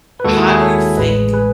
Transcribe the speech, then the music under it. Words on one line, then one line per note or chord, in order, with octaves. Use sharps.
how do you think
B4
D#2 D#3 G#3 F#4 A4
E4 G#4
E4 G#4
A4 C#5
A1 A2 G#3 B4 D#5
G#4 B4